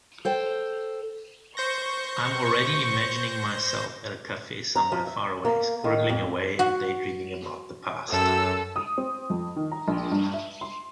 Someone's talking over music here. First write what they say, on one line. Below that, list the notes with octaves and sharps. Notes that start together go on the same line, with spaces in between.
I am already imagining myself at a cafe somewhere far away, scribbling away and daydreaming about the past.
A4 C5 G5
C5 C#6 G6 A#6
A#5
F3
E5
A#3
D#3
F2
F#4
F#2 A4 E6
D#6
C4
F2
D#3
A#5
A#1
G2
E5
C6